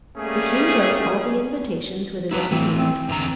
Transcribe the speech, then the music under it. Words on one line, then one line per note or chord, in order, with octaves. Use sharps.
The king wrote all the invitations with his own hand.
G3 A3 A#3 C#4 G#4
F#3 E4 F#4 B4
E3 A3 C4
C4
E2 D3 A#5